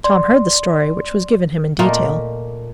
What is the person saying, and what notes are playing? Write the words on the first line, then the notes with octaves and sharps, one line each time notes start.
Tom heard the story, which was given him in detail.
D5 C6
A#2 A3 A#3 A#4 D#5